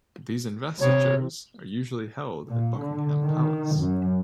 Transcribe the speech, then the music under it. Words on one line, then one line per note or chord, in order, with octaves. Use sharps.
These investitures are usually held at Buckingham Palace.
C3 C#5
A#2
D3
D#3
F#2